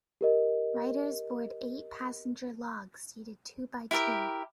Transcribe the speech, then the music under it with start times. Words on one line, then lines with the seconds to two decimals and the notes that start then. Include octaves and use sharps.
Riders board eight-passenger logs, seated two by two.
0.21 G4 A#4 D#5
3.91 E4 G4 A#4 E5